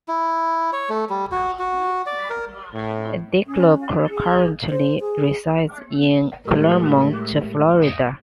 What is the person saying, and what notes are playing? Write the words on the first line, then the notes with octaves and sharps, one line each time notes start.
DeClercq currently resides in Clermont, Florida.
E4
C#5
A3
G3
F#4
F#4
D5
A#4
A2
C#4
G#4
C5
G#4
A2 G#3 G4 A#4